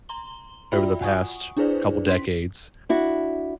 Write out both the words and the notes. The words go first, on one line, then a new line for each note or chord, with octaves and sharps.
over the past couple decades
A#5 C6 G7
F4 F#4 D5 E5 G5 B5
F#5 G#5 C#6 D#6
D4 E4 G#4 B4 C5 D5
C#4 C6 B6
D4 E4 F#4